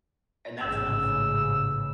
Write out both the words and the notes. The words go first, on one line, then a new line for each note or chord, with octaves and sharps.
And that's enough.
A1 G#2 C#3 E6